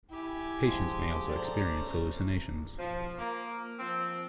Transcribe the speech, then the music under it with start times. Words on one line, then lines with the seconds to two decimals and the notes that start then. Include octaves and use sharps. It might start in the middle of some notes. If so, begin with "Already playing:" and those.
Patients may also experience hallucinations.
0.11 E4 G4 G#5
0.63 F3 G#3
1.30 A4 C5 D5 A5 A#5
1.79 A3 C#4
2.79 F3
3.18 A#3
3.79 F3 C4